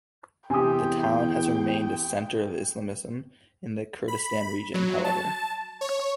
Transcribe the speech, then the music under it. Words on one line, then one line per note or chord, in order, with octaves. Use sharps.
The town has remained a center of Islamism in the Kurdistan region, however.
E2 C3 G4 G5 G#5 D#6
B5
F#3
A5
C#5